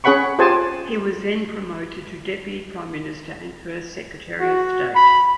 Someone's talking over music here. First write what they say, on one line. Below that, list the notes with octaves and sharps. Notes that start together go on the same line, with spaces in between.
He was then promoted to Deputy Prime Minister and First Secretary of State.
C#4 G#4 C#5 F#5 B5 C#6
F4 G4 G#4 C5 G#5 A5
F#4
B5